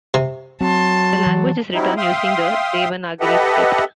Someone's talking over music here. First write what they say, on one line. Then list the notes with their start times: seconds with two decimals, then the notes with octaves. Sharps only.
The language is written using the Devanagari script.
0.14 C3
0.61 F#3 C4 A5 C6
1.26 E3
1.74 F#3 G3 C4 D#4 E4
1.97 E5 F5 G5 C6 D#6
3.21 G4 A4 B4 D#5 E5 F#5